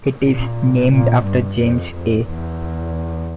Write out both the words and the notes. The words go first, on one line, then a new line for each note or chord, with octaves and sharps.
It is named after James A.
A#2
A#2
G2
F2
F2
E2